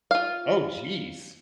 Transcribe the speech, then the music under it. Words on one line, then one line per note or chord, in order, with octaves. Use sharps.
Oh, jeez.
F4 F5